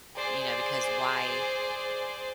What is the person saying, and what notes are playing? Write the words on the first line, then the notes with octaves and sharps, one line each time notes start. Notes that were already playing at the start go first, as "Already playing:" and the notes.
You know, because why
G#4 C5 D5